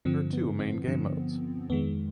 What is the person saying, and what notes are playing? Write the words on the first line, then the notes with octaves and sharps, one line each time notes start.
There are two main game modes.
G2 D3 F3 C4
B3
C4
G2 D3 F3
F2 D#3 G#3 B3